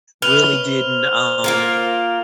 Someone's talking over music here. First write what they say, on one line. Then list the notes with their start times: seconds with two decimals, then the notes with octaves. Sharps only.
really didn't, um,
0.22 F#2 B4 F6 F7 G7
0.63 C5
1.44 A#3 F4 A#4